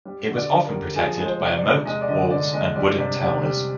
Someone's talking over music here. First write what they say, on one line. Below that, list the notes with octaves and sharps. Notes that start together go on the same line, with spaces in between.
It was often protected by a moat, walls, and wooden towers.
G3
D3
D5
D3
A#4
G3
F3 G#4
G#3
C5
C3
D5
C3
G#3 D#5
D5
D3 D#5
D3 D5
G#3 D#5
G3 D5
C3 D5
C3 D5
G3